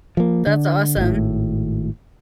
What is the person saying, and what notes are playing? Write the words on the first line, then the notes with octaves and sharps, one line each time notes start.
that's awesome.
F3 A#3
D3
G#1 A2